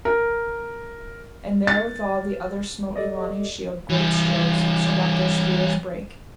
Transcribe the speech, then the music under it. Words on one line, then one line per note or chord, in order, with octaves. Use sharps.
And therewithal the other smote him on his shield great strokes, so that their spears brake.
A#4
A6
G4 A4 D5 D#5
E3 G3